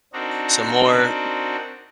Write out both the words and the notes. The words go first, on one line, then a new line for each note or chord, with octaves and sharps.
so more m
C4 D4 D#4 F#4 A#4